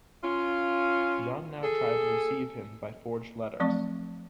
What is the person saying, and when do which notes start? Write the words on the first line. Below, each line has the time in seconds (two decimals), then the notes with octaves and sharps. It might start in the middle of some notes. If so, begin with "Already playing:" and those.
John now tried to deceive him by forged letters.
0.23 C#4 F4
1.63 G#4 A4
3.60 F3 F#3 A3 C4 D5 C#6